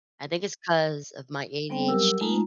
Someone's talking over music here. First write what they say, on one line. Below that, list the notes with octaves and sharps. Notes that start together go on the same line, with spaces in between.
I think it's 'cause of my ADHD
G3 B3 C4 C5 G5
F#3 G3 G4 A#4 E6
G#3 A3 D#4 F4 A#5